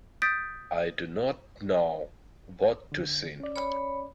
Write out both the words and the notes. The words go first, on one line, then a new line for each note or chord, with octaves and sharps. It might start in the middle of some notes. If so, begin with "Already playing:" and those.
I do not know what to think.
D#6 G6 A6 B6 D7
D3
C#4 D5
C#5 B5